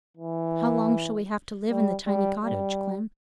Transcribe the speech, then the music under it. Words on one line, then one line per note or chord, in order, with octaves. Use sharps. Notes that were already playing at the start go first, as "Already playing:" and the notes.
"How long shall we have to live in the tiny cottage, Clym?"
E3
G3
G3
G3